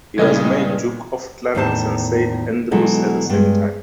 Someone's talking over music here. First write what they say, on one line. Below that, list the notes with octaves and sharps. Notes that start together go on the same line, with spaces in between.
He was made Duke of Clarence and Saint Andrews at the same time.
G2 A#2 C#3 E3 G#3 D#5 G#6
E2 A2 D#3 C5 A5
B2 E3 F#3 G#3 A4
G2 G#3